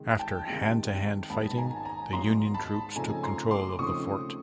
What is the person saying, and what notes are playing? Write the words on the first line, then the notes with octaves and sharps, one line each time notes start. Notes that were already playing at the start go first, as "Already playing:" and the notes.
After hand-to-hand fighting, the Union troops took control of the fort.
Already playing: C3 D#3 G#3
G5 A5
C3 D#3 G#3
G#2 D#3 F#3 B3 D#4 A5 B5
G#5 A#5
A5
G#5 A#5
G#2 D#3 F#3 B3 D#4 A#5 C6
A5 B5
C#3 F3 A3 C4 D#4 G#5 A#5
A#5 C6
C6 D6
C#3 F3 A3 C4 D#4 C#6 D#6